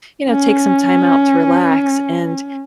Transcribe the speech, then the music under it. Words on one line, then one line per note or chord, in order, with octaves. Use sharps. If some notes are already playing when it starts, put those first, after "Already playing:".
you know, take some time out to relax, and
C#4